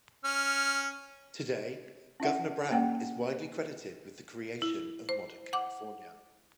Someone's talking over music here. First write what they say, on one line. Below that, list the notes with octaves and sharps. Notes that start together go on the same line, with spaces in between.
Today, Governor Brown is widely credited with the creation of modern California.
C#4 F6
C#4 E4 E5 F#5
A#3 C#4 F#5 G5
E4
C5
F#5 D6